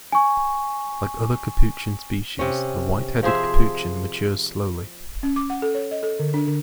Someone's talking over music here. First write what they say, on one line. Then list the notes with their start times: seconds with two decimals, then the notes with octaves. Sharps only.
Like other capuchin species, the white-headed capuchin matures slowly.
0.12 G#5 C#6
2.39 C3 C#4
3.23 F3 G#4 C5 E5
5.23 C#4
5.36 D6
5.50 F#5
5.62 A4
5.75 C#5
5.91 D#5
6.03 A4
6.19 D3
6.34 D4
6.47 D3